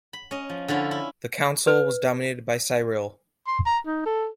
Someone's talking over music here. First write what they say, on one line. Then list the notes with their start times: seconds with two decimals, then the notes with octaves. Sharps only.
The Council was dominated by Cyril.
0.13 B5
0.31 C#4 D#5
0.49 F3
0.68 D3 F3 C#4 E4
0.91 E4
1.67 B4
3.47 C6
3.66 A#5
3.86 D#4
4.06 A4